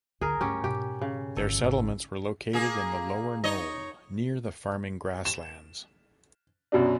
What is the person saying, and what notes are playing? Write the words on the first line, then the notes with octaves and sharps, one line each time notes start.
Their settlements were located in the lower knoll, near the farming grasslands.
D2 G#4 A#4
G2 A3 C#4 G4
G#2 B2 G4
C#3
G1 F3 A4
G#1 C#2
A#3 G#4
D#4 C#5 D#5
E7
F#2 B2 F#3 D4